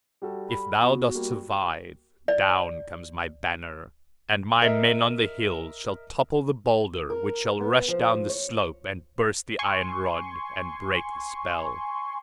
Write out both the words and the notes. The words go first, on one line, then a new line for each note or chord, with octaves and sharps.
If thou dost survive, down comes my banner; and my men on the hill shall topple the boulder which shall rush down the slope and burst the iron rod and break the spell.
G3 F#4 A4
B5
E2 F#4
G3 A#3
D5
A#4 D#5 E5
A#4
B3
F3
C#5
G#5 C6 C#6